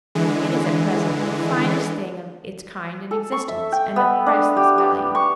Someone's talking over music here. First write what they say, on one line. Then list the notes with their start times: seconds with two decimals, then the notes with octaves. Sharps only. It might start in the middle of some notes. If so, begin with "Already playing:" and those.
It is at present the finest thing of its kind in existence and of priceless value.
0.15 D3 E3 G#3
3.11 A4
3.32 C#6
3.48 E5
3.72 G5
3.96 B3
4.26 D4
4.57 G4
4.78 G4
5.15 C#6